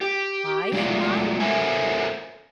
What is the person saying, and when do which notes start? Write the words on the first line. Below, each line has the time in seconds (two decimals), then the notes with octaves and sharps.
Spying like!
0.01 G4
0.72 F#3 G#3 A3 F4 C#5 D5
1.40 A4 A#4 C5 C#5 E5 G#5